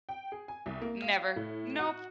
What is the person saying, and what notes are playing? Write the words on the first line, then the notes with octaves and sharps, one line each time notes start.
Never. Nope.
G5
G#4
G#5
C2
A#3
F5
A2
F#4